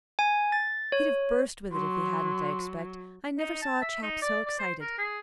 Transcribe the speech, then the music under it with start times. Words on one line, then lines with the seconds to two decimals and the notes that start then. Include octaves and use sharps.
He'd have burst with it, if he hadn't, I expect; I never saw a chap so excited.
0.19 G#5
0.52 A6
0.92 C#5
1.72 F#3 C6
3.38 D#4
3.62 A5
3.82 E5
4.02 D#4
4.22 D5
4.46 D5
4.59 C5
4.81 A#4
4.98 G#4